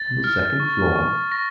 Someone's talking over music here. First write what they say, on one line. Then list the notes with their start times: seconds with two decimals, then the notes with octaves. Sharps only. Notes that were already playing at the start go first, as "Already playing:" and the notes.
"On the second floor?"
Already playing: A6
0.24 F6
0.60 C#6
0.96 C#6
1.31 C#6 A#6